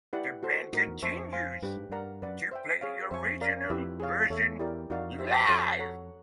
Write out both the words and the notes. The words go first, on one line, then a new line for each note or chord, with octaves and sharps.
The band continues to play the original version live.
E4 G4 B4 D5 F#5
F#4 A4 C5
A2 D#4 F#4 A#4
E2
F2 C5 E5 A5 C#6
C5 F5 G#5 C6
G2 D4 G4 B4
G#2
G2 A#4 D5 F#5 A#5
F#2 B4 D5 F#5
C5 E5 G5
G#4 C#5 F5
F2 C5 E5 G#5 C#6
A#4 D5 F5 A#5
F2 E4 G4 B4 E5
G#4 C#5 F5
E2 A4 C#5 E5
E4 G4 A#4 D5
F2 D#4 F#4 A#4 D5 F5
G4 C5 E5
F2 F#4 A4 C#5 E5
A4 C#5 F#5 A#5